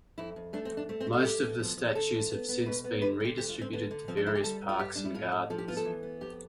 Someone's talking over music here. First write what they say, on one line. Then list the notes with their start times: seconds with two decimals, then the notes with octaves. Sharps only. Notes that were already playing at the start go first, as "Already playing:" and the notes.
Most of the statues have since been redistributed to various parks and gardens.
0.18 F2 E4
0.36 F2
0.53 A3 D4
0.65 C4
0.71 F2
0.77 D4
0.89 A3 C4
1.00 C4
1.07 A3
1.13 D4
1.24 A3 G4
1.42 B2
1.60 F3
1.77 F3
1.95 D3 A4
2.14 E2
2.31 B3
2.49 B3
2.66 B2 B4
2.84 B3
3.02 D3 B4
3.20 D3 G4
3.37 D2 G4
3.49 F4
3.55 D2
3.61 C4
3.73 D3 B3
3.91 D3
4.08 F3 C4
4.17 D4
4.26 D3 E4
4.35 G4
4.43 G3 A4
4.62 G2
4.69 F4
4.79 G2 G4
4.95 G3 D4
5.05 E4
5.14 A2 F4
5.32 A2
5.50 F3 A4
5.58 G4
5.68 B3 F4
5.77 A4
5.85 E3
6.03 B3
6.21 F2 G4